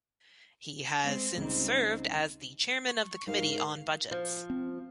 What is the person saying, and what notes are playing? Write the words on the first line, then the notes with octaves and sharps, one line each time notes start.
He has since served as the chairman of the Committee on Budgets.
G#3 C4
C#2 G3 C4 D#4
C#6
G#2 A#4 F5
F3
C4